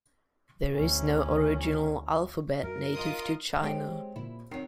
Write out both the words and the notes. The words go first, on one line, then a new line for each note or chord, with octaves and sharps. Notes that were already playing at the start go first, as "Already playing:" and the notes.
There is no original alphabet native to China.
D2 C#4
F#2 A#4
F4 D#5 D#6
F#3 G#3 C4 G4
A#2 E4
D#3 F#3 C4 C7